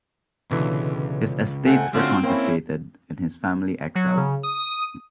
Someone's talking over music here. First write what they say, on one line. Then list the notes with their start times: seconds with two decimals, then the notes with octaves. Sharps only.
His estates were confiscated and his family exiled.
0.51 C#2 B2 D3 E3
1.66 A3 C4 F#5 G#5
1.94 D3 A3 C4 C#4 F4 F#4 F5
2.24 A#3 C#4 E4 C5 G5
3.95 F#3
4.17 C#3
4.43 D#6